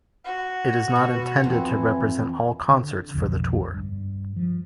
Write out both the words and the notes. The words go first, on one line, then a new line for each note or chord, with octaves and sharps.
It is not intended to represent all concerts for the tour.
F#4
B2
F2 E3
D3
B1 F2 B2 D3
G2
F3